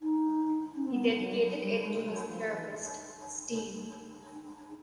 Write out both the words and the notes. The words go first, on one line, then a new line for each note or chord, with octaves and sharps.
He dedicated it to his therapist, Stein.
D#4
C#4
C4
B3
F#3
G3
F#3
G3
G#3
F#3
F3
E3